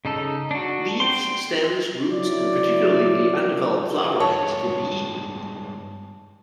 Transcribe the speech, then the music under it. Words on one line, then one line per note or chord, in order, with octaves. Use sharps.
Leaves, stems, roots, and particularly the undeveloped flowerheads can be eaten.
C#3 D#4 A4
D4 F#4
G5 C6
F#3 E4 D5
G2 G#3 B3 C#5 A5